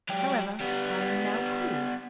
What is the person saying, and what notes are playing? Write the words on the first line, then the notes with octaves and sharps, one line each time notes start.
However, I am now cool.
F#3 G4
G3 B3